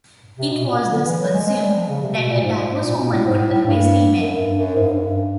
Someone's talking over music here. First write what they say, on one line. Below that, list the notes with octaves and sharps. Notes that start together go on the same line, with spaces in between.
It was thus assumed that a divorced woman would always remarry.
C3
B2
A#2
D3
E3
F#3
G#3
G#3
G3
F3
C#3
C3
B2
A#2
G#2
G#2
A#2
B2
A2
G#2
A2
A2
G2
F#2
G2
F#2
G#2
G2
F#2
G2